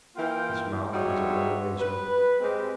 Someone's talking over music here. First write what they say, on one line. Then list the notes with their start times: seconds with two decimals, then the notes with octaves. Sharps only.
His mouth was a little ways open.
0.16 E3 A#3 F4 A#4 G5
0.93 G3 G#3 D#4 F#4 C#5 E5
1.78 B4
2.40 G#3 C4 G4